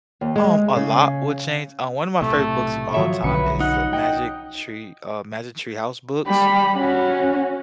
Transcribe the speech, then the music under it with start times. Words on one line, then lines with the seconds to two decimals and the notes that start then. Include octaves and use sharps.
Um, a lot would change, um, one of my favorite books of all time is the Magic Tree, uh, Magic Tree House books,
0.21 D#2
0.36 G#3
0.76 C#3
2.22 B1 A2 C3 A3
2.94 F3 F#3 C#5 E5
3.24 B1 D3 C#4 B4 C#7
3.60 D#4 F#5
3.93 D#5 G5
6.27 G3 B5
6.77 C#4 F#4